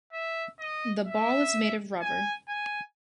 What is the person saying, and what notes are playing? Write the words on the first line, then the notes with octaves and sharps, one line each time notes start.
The ball is made of rubber.
E5
D#5
E5
G#5
G#5